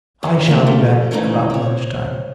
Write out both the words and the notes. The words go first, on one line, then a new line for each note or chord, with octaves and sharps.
I shall be back about lunch time.'
F#2 C#3 D4
F3 A3 A#3 C5 F#5
F3 G3 A3 A#3
C#3 E3 G#3 A3 C4 D#4
C4 C#5